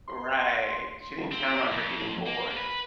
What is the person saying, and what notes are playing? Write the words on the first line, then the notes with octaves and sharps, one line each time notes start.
Right. She didn't count on her getting bored.
C6
C4
F2
A#3
B4